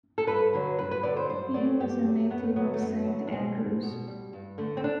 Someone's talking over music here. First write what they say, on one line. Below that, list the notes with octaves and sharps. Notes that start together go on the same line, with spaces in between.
He was a native of Saint Andrews.
A4
G2 B4
D3 F#3
G2 B4
B4
D3 F#3 D5
C5
G2 C5
F#3 A3 D5
G2 G4
F#3 A3
F#2 B3
A3
D3 F#3 B3
A3
F#2 B3
F#3
D3
D4
B2 C4
G3
B2
G3
G2
D3 A3
C4
D4